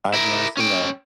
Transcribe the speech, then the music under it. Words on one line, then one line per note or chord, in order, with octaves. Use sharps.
I've never seen that.
E4 A#4
C#4 G5